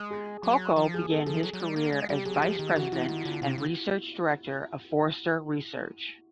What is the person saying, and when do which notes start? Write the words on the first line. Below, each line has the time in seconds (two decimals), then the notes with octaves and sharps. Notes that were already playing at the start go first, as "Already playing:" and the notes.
Kolko began his career as vice president and research director of Forrester Research.
Already playing: G#3
0.11 G#4
0.43 F#3
0.76 F3
0.94 G#4
1.04 G#4
1.10 A4
1.26 F3 G#4
1.43 F#3
1.53 F#3
1.60 G3
1.76 A#3
1.92 G#3
2.09 G3 G4
2.25 F#3 G#4
2.42 F3 G4
2.59 D#3
2.76 E3 F#4
2.92 E3 E4
3.09 D#3
3.25 D3 F4
3.42 C3
3.58 C#3